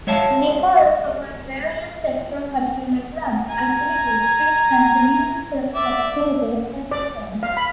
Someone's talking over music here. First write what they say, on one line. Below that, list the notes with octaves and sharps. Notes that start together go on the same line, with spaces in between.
Nichols offers various extracurricular clubs, activities, trips and community service opportunities to students.
G#3 C#5 E5 F5 A5
G#5 A#5
D5 E5
D5
F5
B5